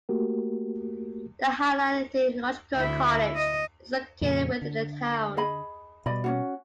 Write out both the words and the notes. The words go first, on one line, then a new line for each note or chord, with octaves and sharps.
The Highland Theological College is located within the town.
A3 A#3 F#4 G4 A#4
D2 E4
D#5
F2 A#2 C#3
D3
G#4 D#5 B5
B2 G3 D5 D#5 B5
C#4 D4 F#4